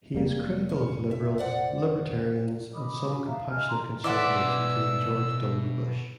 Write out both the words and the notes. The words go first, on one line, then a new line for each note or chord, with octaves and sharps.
He is critical of liberals, libertarians, and some "compassionate conservatives", including George W. Bush.
F1 G3 A#3
C#4
E5
C5 D5 F#5
D#5 B5 D6 D#6
F#4
E5 F5 A5 A#5
D#5 G#5 F6 G6
A#5 C6
B2 E3 D5 E5 F#5 A5 C6 E6